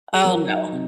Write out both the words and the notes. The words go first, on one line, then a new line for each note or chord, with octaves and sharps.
Oh, no.
G#4
F#3 A#4
D#4
C3